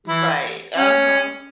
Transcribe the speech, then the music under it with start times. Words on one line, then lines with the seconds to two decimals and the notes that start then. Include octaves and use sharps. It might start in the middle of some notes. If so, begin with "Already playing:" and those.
Right, uh-huh.
0.08 E3 E4
0.77 C#4